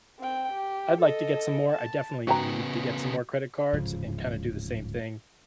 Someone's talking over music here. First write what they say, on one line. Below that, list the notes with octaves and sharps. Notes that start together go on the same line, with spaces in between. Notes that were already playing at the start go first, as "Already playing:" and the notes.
I'd like to get some more, I definitely need to get some more credit cards, and kinda do the same thing
C4 G5
G4
A4 D#5
A5
C#3 B3 F#4 G5 A#5
D1 G#2 C#3 F3